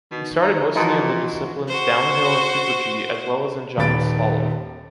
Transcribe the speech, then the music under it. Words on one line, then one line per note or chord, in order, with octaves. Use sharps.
He started mostly in the disciplines Downhill and Super-G as well as in Giant slalom.
B2 D#3
D#4
A#2 E3 F3 D#4 F#4 A5
F#4 C5
D#1 D#2 B4 B5 A6 D7